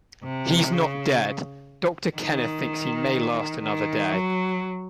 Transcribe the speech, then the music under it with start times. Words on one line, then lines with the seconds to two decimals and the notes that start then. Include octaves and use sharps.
He’s not dead; Doctor Kenneth thinks he may last another day.
0.23 C3
0.72 C#3
2.17 D#3
3.63 D#3
4.11 F#3